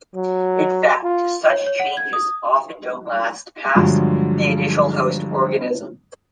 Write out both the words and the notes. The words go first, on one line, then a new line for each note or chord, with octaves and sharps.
In fact, such changes often don't last past the initial host organism.
F#3
F4
C#5
C#5
F#5
G#6
D#6
G2 D3 F3 F#3 G#3